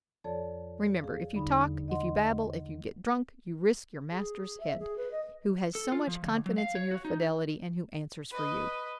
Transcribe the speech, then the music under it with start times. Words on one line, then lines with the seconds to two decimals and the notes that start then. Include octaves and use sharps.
Remember, if you talk, if you babble, if you get drunk, you risk your master's head, who has so much confidence in your fidelity, and who answers for you.
0.24 F2 F3 A4 C#5 D5 A5
1.02 G#4 F5
1.34 E2 D3 G3 D4 D#4 B5
1.88 D#5 F#5 C6
4.11 G#4
4.60 E5
4.79 G#4
4.97 B4
5.11 D#5
5.75 A4
5.92 F4
6.07 F3
6.24 D2
6.46 F#3
6.58 F5
6.75 C#5
6.91 F#4
7.05 D#4
8.32 B4 D#5